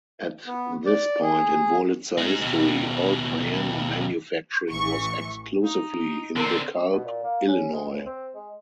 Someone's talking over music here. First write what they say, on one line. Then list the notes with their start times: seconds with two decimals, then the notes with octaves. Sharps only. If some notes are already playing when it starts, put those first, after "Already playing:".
At this point in Wurlitzer history, all piano manufacturing was exclusively in DeKalb, Illinois.
0.47 B3
0.86 D5
1.22 G#4
2.18 G#3 D#4
2.42 D#2 B2
4.71 A1 E3 C#6
5.64 D#4 F5
6.37 D3 C4 A#4 A5 A#5
6.93 B2
7.05 A#2
7.24 A#3
7.48 C#4
7.73 G#3
7.88 C#2
8.06 C4
8.35 G#3